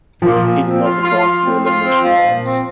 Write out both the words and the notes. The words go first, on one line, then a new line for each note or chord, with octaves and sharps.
He did not advance to the elimination rounds.
A#2 F3
A#2
C4
F4
F4
F4
C4
F4
C4
F3
A#2
C4